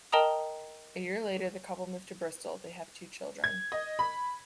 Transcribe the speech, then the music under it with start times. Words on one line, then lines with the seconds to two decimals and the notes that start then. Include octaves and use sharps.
A year later, the couple moved to Bristol; they have two children.
0.12 A#4 D#5 G5 A5 A#5 D#6
3.44 G#6
3.72 D#5
3.99 B5